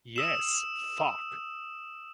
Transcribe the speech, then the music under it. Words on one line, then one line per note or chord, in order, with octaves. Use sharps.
Yes, fuck!
D#6 E6 E7